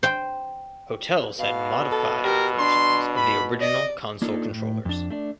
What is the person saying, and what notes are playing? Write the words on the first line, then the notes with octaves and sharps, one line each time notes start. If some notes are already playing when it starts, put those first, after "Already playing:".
Hotels had modified versions of the original console controllers.
C5 G5
B2 F5
A4
G4 A#4
D4 C6
B5
D5 D#5
A#3 D4 D#4 F4 G#4 A4
A2
F2 D4
A3 D4 D5